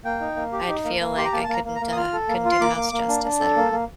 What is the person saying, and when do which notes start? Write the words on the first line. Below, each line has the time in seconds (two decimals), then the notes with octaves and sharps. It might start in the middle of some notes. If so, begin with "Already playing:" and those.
I'd feel like I couldn't, uh, I couldn't do the house justice, I don't know.
0.05 A#3 G5
0.21 D#4
0.36 A#3
0.52 G4
0.68 D#4
0.85 A#3
1.00 A#3
1.17 G4 C6
1.25 A#5
1.32 A#3 A5
1.44 A5
1.49 A#3 A#5
1.65 A#3
1.75 A#5
1.81 A#3
1.92 D#6
1.97 F4 F6
2.13 A4
2.29 A#3
2.45 F4
2.51 C6
2.61 A#3 D6
2.76 A#3
2.93 A#3
3.08 D4
3.25 D4
3.40 A4
3.57 A#3
3.72 A#3